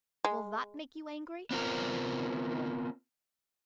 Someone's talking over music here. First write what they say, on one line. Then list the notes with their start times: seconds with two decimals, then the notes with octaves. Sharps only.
"Will that make you angry?" inquired the boy.
0.25 G#3
1.51 B3 C4 F4 A#4